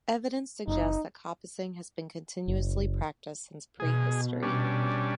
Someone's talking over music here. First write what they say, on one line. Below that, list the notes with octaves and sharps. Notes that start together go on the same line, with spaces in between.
Evidence suggests that coppicing has been continuously practised since pre-history.
F#1 D#4
F#1
B2 G#4
G3 C#4 D4